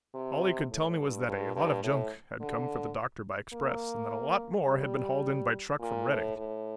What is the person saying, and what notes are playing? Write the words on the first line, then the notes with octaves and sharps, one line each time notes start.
All he could tell me was that a "lot of junk" had come for the Doctor by express and that a lot more had been hauled in by truck from Redding.
C3
A2
G2
G2
G2
A2
D3
A#3
G3
A#2
A2
A2